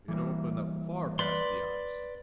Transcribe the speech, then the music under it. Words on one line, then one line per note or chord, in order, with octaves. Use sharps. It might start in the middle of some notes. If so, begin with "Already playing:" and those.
It opened up far past the eyes!
E3 G3 A#3
B4 D5 C6